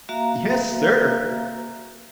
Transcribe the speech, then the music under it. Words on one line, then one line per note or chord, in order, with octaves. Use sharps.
"Yes, sir."
A#3 F#4 E5 F5 A#5